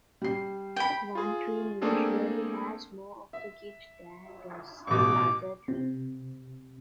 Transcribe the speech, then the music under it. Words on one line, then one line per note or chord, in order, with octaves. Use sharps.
One twin usually has more of the gifts than does the other twin.
G3 C7
G5 B5
F4 G#4
A3 A#3 C4 D4 G#4 A4
E5
A1 B2 D6
C3